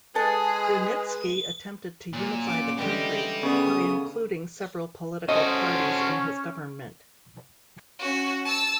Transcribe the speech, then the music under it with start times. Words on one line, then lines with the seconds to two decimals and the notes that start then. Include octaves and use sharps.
Grunitzky attempted to unify the country by including several political parties in his government.
0.15 G#3 G#4 A4 B4 A5
2.13 A#2 F#3 F#4 G#4
2.46 C#4 D6
2.78 D3 E3 G#3 G4 D5 D#5 G5
3.43 C#3 B3 D#6
5.29 C#4 F#4 A4 C5 D#5
7.99 C#4 F#4
8.45 A5 E6